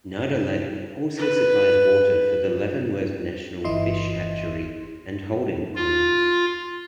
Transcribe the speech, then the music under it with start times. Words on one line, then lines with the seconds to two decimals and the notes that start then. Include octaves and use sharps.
Nada Lake also supplies water for the Leavenworth National Fish Hatchery and holding ponds.
1.17 B4
3.65 G1 E3 E4 D#5 C6
5.75 F4